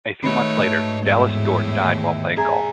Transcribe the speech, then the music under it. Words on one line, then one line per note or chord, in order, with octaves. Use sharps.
A few months later, Dallas Dort died while playing golf.
D#3 G#3 A3 D#4 F#4 B4 C#5
G#2 D#5 A5
E2 A2 G#3 A3 E4
D#2
G3 G#4 E5 G#5 A#5